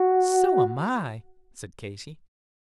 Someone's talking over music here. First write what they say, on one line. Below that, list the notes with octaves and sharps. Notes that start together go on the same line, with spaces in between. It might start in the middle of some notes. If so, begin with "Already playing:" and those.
"So am I," said Katy.
Already playing: F#4